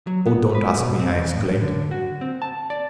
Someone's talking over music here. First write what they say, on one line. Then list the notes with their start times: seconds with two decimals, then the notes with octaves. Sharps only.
"Oh, don't ask me!" I exclaimed.
0.07 F#3
0.26 B3
0.55 B4
0.80 B2
0.99 C4
1.15 E2
1.35 A2
1.61 D3
1.91 F#4
2.21 C4
2.42 A5
2.70 D5